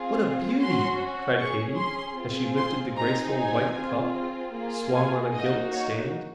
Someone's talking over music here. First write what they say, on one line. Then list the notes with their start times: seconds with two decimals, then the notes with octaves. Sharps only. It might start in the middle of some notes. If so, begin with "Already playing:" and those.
"What a beauty!" cried Katy, as she lifted the graceful white cup swung on a gilt stand.
Already playing: C4 F4 G#4
0.59 C#4 F#4 C6
1.39 C#4 G#4 C#6
1.78 C6
2.17 C4 F4 G#4
2.57 C6
2.95 C4 D#4 G#4 A#5
3.36 G#5
3.75 C4 F4 G#4
4.54 A#3 F4 G#4
4.93 G#5
5.33 A#3 D#4 F#4 D#5
5.73 C#5